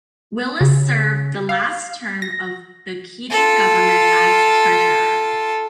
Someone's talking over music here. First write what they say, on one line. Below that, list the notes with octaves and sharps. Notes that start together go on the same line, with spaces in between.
Willis served the last term of the Keating government as Treasurer.
C#3
F5
A#6
F4 A4